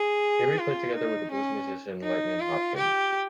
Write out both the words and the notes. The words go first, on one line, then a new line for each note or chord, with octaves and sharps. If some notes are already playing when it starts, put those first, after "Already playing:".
Here he played together with the blues musician Lightnin' Hopkins.
Already playing: G#4
F4
D#4
C#4
D#4
F4
G4